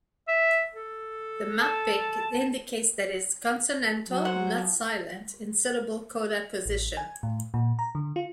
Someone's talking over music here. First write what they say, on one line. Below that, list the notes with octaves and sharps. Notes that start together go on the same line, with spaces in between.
The "mappiq" indicates that is consonantal, not silent, in syllable-coda position.
E5
A4
A5
F#3
C5 F#5
F3
A1
G#5
A2
A#2
A#5
D3
F4